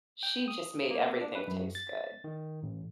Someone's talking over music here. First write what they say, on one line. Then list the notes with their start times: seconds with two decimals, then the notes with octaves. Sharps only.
she just made everything taste good.
0.23 G5
0.48 D#6
0.91 A#3
1.21 D4
1.35 B4
1.48 F#2
1.75 A6
2.24 D#3
2.63 A1